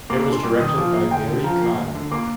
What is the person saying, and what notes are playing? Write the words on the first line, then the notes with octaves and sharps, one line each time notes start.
It was directed by Barry Kyle.
A#3 D6
D4
C6
G2 D6
D#3 D#6
F3 D6
A#3
D2 G5
D3
F3 A#5
A#3
D2
D3
A#3 D6